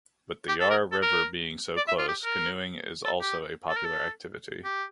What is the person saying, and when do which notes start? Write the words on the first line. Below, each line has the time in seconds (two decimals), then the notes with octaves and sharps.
With the Yarra River being so close, canoeing is also a popular activity.
0.49 G4
0.60 A4
0.70 A#4
0.92 A4
1.02 A#4
1.77 D5
1.88 E5
1.99 F4
2.08 G4
2.25 A#4
3.05 A4
3.21 G4
3.69 A4
3.77 A#4
3.85 A4
4.65 G4